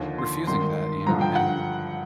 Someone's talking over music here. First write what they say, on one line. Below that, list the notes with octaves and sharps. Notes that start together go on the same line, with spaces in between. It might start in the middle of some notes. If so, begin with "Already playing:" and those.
refusing that, you know, and
Already playing: D#2 D3 F3
C6
G#1 G2 D#3 C6
G2 D3 F3 A#5
G5
F#5